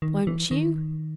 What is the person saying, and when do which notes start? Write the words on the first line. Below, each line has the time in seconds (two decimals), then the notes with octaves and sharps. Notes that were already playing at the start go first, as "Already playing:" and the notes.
Won't you?'
0.02 D#3
0.27 E3
0.51 D#3